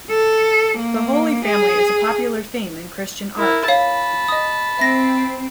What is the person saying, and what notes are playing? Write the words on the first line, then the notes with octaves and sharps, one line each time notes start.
The Holy Family is a popular theme in Christian art.
A4
A#3
G#4
E4 A#4
C#5 F5 A5 B5
D#5 D#6
C4 E5 A#6